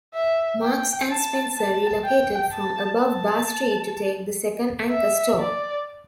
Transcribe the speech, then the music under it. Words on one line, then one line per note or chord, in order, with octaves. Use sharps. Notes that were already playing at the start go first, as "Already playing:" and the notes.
Marks and Spencer relocated from Above Bar Street to take the second anchor store.
E5
G5
A5
A5
G5
A5
A5
E5
D5